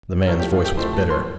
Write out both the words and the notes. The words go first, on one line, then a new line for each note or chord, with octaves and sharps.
The man's voice was bitter.
A2 F3 A3 A#4
G4
F4
G4
A2 F3 A3 C5
A5
C6